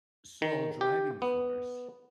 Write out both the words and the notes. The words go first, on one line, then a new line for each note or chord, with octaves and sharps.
sole driving force
D#3
G4
B3